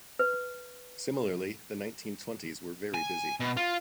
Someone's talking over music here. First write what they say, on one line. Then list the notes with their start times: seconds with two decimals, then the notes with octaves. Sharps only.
Similarly, the nineteen twenties were very busy.
0.19 B4
2.94 G#5
3.40 B2
3.57 F4